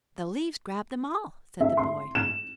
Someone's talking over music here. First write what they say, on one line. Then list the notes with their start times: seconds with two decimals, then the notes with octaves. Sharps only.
"The leaves grabbed them all," said the boy.
1.61 E5
1.77 C6
2.15 E7